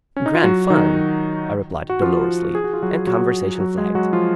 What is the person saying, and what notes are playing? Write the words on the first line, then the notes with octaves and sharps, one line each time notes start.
"Grand fun!" I replied, dolorously; and conversation flagged.
C#4
D#4
F4
F#3 F#4
D#3 D#4
F#4
F3 F4
G#4
F#4
F4
F#3 F#4
F#3 F#4
F#3 F#4
G#3 G#4
F#3 F#4
F3 F4